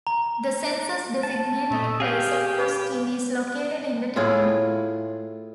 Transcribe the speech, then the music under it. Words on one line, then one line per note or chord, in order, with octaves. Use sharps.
The census-designated place of Tustin is located in the town.
A#5
A5
A#2 A3 D#6
G4 G#4 F5 G5
B4
A2 E4 F4 G#4